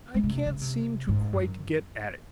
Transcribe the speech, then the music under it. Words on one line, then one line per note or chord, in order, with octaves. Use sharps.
I can't seem to quite get at it.
G#3
C#3
C3
C#3
C3
G#2
F#2